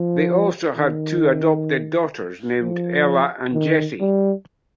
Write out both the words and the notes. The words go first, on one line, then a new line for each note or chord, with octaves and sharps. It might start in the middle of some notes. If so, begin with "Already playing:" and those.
They also had two adopted daughters named Ella and Jessie.
Already playing: F3
D#3
F3
D#3
G3